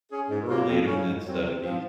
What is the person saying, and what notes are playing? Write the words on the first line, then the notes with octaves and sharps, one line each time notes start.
early to mid-seventies,
C#4 G#4
G#2
F#3 A#3 F4
F2
C#3 F#3 C#4
G#2
F#3 C4
C3
F3 C4